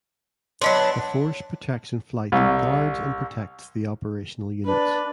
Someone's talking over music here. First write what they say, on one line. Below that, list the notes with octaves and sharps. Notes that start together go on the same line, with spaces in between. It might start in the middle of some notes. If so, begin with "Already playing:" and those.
The force protection flight guards and protects the operational units.
F#3 B3 D4 D#5 C6
C2
D4 B4